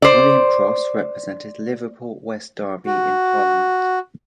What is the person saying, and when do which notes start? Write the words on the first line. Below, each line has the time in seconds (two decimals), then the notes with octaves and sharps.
William Cross, represented Liverpool West Derby in Parliament.
0.02 C5 D5
2.86 F#4